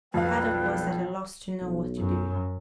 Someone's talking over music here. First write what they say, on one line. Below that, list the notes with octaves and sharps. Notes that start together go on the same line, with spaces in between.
Kadok was at a loss to know what to do.
B1 F2 G3 B4 F5 G5
B1
F#2